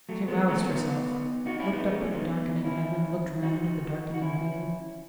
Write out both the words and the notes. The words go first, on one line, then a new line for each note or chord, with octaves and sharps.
She roused herself; looked up at the darkening heaven, looked round at the darkening view.
F#3 A3
G#3 B3
A3 C#4
B3 D#4
D#4 F#4
C#4 E4
B3 D#4
G#3 B3
A3 C#4
B3 D#4
C#4 E4
D#4 F#4
F#4
C#4 E4